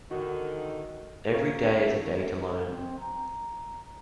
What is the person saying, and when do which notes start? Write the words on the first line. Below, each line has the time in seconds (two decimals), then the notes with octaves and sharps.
Every day is a day to learn.
0.11 D3 D#3 F#4
1.34 C#4 A4 A#4 F5 C#6
2.65 C4
3.00 A#5